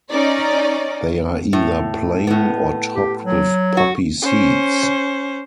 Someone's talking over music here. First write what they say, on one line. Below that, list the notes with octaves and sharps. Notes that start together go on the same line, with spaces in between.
They are either plain or topped with poppy seeds.
C#4 D#4 D5
A2
A2 B3
G4
F#3
F#4
C#4 C5